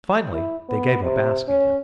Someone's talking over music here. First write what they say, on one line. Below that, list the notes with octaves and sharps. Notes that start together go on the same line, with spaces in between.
Finally they gave up asking him.
E4
B3
C3
C#4